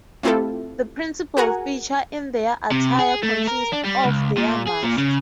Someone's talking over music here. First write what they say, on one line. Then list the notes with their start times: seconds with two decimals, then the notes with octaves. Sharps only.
The principal feature in their attire consists of their masks.
0.23 A3 C4 E4 F4 G4 A4
1.37 F#4 G#4 A#4 F#5 G#5 A#5
2.72 C3
2.99 G#4
3.23 A3
3.47 A#4
3.73 D4
3.85 G3
4.05 C#2
4.38 A#2
4.67 G#4
4.83 A#2
4.98 C#3